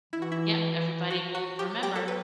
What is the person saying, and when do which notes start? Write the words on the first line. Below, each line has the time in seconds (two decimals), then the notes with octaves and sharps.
Yep, everybody will remember
0.13 E3 E4
0.22 F#4
0.32 E4
1.10 F#4
1.35 F#4
1.59 F#3 G4
1.83 G4
1.96 A4
2.08 B4